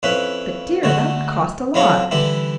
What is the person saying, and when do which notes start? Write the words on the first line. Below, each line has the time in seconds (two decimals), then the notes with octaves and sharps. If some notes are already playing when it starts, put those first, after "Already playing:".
But, dear, that would cost a lot!
0.03 F2 C#4 E4 B4
0.83 D3 A3 F#4
1.74 F2 F#3 E4 F4 C#5 A#5
2.11 D3 E3 G3 E4